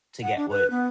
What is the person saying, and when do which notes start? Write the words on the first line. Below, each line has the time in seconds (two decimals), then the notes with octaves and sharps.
to get what
0.23 F#5
0.37 D4
0.51 B4
0.71 B3